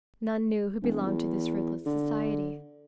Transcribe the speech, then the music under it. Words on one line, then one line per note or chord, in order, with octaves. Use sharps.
None knew who belonged to this ruthless society.
E1
E2
D3